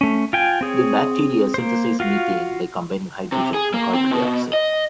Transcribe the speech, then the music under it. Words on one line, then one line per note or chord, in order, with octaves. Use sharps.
The bacteria synthesize methane by combining hydrogen and carbon dioxide.
A3 C#4
F4 G5 G#5
C4 G#4 C#5
A#3 C5
F4 F#4 F5
C3
G#4
A#3
C4
B2
D#5